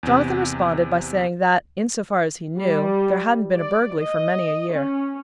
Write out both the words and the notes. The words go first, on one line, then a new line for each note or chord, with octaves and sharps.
Jonathan responded by saying that, in so far as he knew, there hadn't been a burglary for many a year.
E2 C3
G3
D5
D#5
C#4